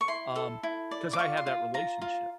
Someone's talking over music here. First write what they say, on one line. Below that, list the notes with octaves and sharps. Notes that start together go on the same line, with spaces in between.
um, 'cause I have that relationship.
C#6
E4 C6
A4
E4
D5
D6
F4 C#6
C6
F4
F4 A#5
F4